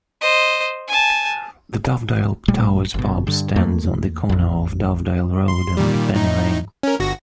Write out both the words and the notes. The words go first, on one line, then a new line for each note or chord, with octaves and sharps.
The Dovedale Towers pub stands on the corner of Dovedale Road and Penny Lane.
C5 D#5
G#5 A5
A1 A#2 G3 A3
G1 B2
G2 D3
E2 A3 A#3
A1 F2
C6
A#2 D#3 G3
A2 D#4
C#4 A#4
G1 F#4 A#6